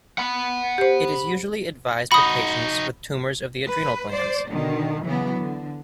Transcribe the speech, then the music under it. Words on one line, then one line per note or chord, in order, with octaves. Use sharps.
It is usually advised for patients with tumors of the adrenal glands.
F#5 B5
G4 C5
D#4 F#4 B5 D#6
B4
C5 D5
B2 D3 D#3
C#3 E3 F#3 B3
D3